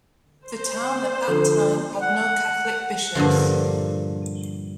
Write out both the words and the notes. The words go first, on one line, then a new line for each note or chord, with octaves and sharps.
The town at that time had no Catholic bishops.
C5
D3 F3 A4
F#5
G2 A#2 D3 F3